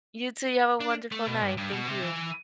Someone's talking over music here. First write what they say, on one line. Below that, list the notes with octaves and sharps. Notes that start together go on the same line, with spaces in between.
You too. You have a wonderful night. Thank you.
D4
A3
B2
G2
G2
B2
C3
E3